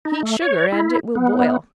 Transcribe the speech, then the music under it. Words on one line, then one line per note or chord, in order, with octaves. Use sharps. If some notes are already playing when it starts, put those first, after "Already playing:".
Heat sugar and it will boil.
D#4
A3
C#5
E4
B3